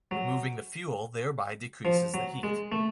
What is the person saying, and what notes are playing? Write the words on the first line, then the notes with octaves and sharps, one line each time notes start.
Removing the fuel thereby decreases the heat.
F#3
F3
F#3
G#3
A3